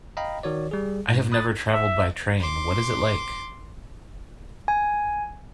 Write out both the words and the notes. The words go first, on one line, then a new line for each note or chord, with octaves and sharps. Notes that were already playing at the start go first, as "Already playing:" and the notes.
I have never traveled by train, what is it like?
D#5 F5 G5 A#5 B5
D#3 F#4 C#5 D5
G3 G#4
G#2
B5 D#6 F#6 A6
E5
C6 D6
G#5